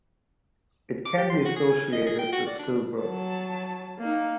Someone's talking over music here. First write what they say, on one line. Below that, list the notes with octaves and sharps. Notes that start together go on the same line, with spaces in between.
It can be associated with stillbirth.
D6
G4
C6
F#4
G#4
G#5
D#5
G#4
G5
F#4
D5
D4
F#3 A5
A#3 D#4